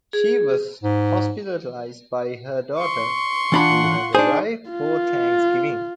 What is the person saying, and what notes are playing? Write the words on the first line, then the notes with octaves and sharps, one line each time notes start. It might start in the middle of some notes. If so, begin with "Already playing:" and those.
She was hospitalized by her daughter, who had arrived for Thanksgiving.
G#4
G#2
C6 C#6
E3 D4 F4 F#5 B5
D4 D#4 G#4 C5
F4